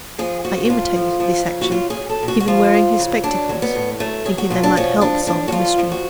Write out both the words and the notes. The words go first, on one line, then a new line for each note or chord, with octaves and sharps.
I imitated this action, even wearing his spectacles, thinking they might help solve the mystery.
F3 G#4
F3 F#4
F#4
A2 F4
F3
F3
C#3
F#4
F#3 F4
G#4
F#3
A4
B2
F#4
F#4
F3 F4
F3
C#3
F#3 D4
F#3
B3
A2
F#3 A3
F#3 G#4
F#4
B2 F4
D4
F3 C#4
F3 D4
A2 D4
F#4
F3 F4
F3
F#4